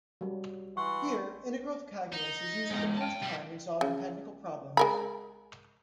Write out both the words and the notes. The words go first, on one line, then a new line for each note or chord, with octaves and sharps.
Here, integral calculus is used for the first time in solving technical problems.
F#3 G3
E3 F#5 C6 C#6
D#4
G#3 B3
G5 A5
B1 G3
C#3
G#3 A#4 B5